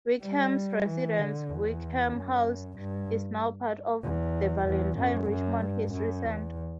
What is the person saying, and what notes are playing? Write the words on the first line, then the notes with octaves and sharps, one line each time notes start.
Wickham's residence, Wickham House, is now part of the Valentine Richmond History Center.
G3
E3
D3
E2
F#2
G2
E2
E2
F#2
F#2
G2
F#2
E2